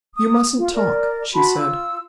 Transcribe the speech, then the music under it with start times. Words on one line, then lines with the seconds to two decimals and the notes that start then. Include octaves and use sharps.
"You mustn't talk," she said.
0.15 D#6
0.57 F4
0.74 A#4 D5
1.33 F#4 A5 B5 C6
1.56 F4 E6